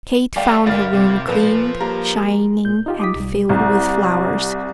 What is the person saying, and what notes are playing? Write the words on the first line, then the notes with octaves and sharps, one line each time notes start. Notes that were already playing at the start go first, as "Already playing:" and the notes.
Kate found her room cleaned, shining, and filled with flowers.
G3 A3 D5 F5 G5
G1 G3 D4 A#4 F5 F6 A6
C3
A#2 F3 A4 B4
G3 A#3 A#5
A#2 G6
D#4 F4 G4
D6 D#6 B6
B1 G3
C2